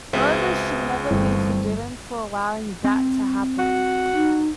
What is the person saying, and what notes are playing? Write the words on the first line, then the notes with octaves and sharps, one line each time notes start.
Rovers should never be forgiven for allowing that to happen.
C#2 C4 F#4 G#4 B4 E5
G1 E3 G3 A3 C4
C4
F#4
D#4